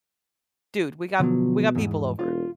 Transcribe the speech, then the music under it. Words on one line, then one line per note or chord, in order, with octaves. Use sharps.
"Dude, we got we got people over,
B2 D3 F3 F#3
E2 G#2
E1 F4